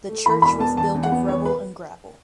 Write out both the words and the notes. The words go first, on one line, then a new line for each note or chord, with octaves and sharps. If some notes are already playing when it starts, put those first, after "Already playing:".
The church was built of rubble and gravel.
A3
E3 B5
E1 B5
B3 A5
E2 A5
E2
F#5
B3
E2 C#5
B4